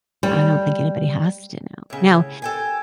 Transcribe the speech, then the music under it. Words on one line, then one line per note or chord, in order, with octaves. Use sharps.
I don't think anybody has to know. Now,
G3
A2 C#3
A4 G5 G#5